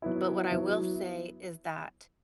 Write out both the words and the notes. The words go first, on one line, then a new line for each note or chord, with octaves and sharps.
But what I will say is that,
F#3 B3 E4
F#3 B3 E4